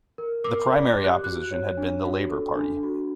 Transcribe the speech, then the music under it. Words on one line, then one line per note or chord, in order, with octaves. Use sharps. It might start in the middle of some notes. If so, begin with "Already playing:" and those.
The primary opposition had been the Labour Party.
A#4
A#4 D6
D5
D6
G4
F#6
F#4 F#6
C#5
D4
F#4
A4
D4
F#4